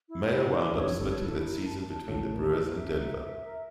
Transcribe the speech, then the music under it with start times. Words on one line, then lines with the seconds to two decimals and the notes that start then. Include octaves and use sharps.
Meyer wound up splitting that season between the Brewers and Denver.
0.09 E4
0.31 E4
0.53 E4
0.76 G2 C#5
0.87 F2
0.97 G1 G2 A4
1.20 E4
1.43 A#4
1.65 A5
1.87 A5
2.08 A1 A2 A5
2.31 A#4
2.52 A#4
2.75 E5
2.97 A#4
3.19 E5
3.42 A#4